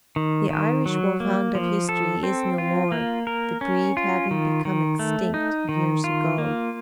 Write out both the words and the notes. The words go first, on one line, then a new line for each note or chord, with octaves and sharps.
The Irish wolfhound of history is no more, the breed having become extinct years ago.
D#3
D#3
F#3
A#3
F3
A4
C4
F4
A#3
A#4
C#4
F4
D#3
D#3
A3
D#4
D#3
F4
A#3